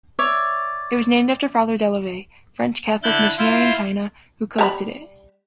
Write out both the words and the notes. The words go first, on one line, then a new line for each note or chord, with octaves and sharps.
It was named after Father Delavay, French Catholic missionary in China, who collected it.
C#5 D5 E5
D3 E4 F#6 G6 A6
E4 F4 C5
G3 A#5 B5